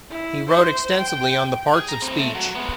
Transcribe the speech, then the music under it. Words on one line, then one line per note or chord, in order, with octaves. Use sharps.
He wrote extensively on the parts of speech.
E4
C5
G5
G#4
A#5
A2 C4
A3
F#3
G#3 B3